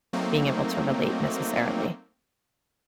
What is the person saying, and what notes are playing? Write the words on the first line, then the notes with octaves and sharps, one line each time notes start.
being able to relate necessarily.
F#3 A3 A#3 C4 D#4